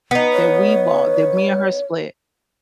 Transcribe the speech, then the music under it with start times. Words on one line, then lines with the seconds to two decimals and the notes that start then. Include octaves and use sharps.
that we bought, that me and her split.
0.11 B3 D#4
0.33 C#5